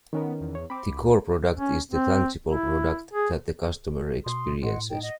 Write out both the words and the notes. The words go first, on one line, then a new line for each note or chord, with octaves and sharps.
The core product is the tangible product that the customer experiences.
D#3 B3 C#4 A#4
E2
C#5
C4 B5 D6
C#2
C#4
C4
E4
G#4
B2 C6 D#6
A2 D#5 F#5 C6
D#4 G5
D#5 F#5